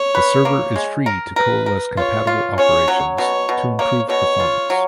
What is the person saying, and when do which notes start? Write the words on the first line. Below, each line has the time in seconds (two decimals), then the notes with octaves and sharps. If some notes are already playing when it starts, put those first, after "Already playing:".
The server is free to coalesce compatible operations to improve performance.
Already playing: C#5
0.15 B4
0.45 A#3
0.76 G#3
1.06 A#4
1.36 A#4 B4
1.66 A#4
1.97 F4 C#5
2.27 F4
2.58 C#4 C#5
2.88 F#3
3.18 B2 C#5
3.49 B2
3.79 A#3 C#5
4.09 B2 C#5
4.40 F4
4.70 F#3